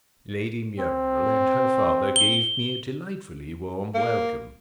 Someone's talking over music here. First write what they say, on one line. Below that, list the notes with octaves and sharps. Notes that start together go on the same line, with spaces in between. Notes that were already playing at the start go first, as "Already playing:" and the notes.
Lady Muriel and her father gave me a delightfully warm welcome.
C4
G7
A#3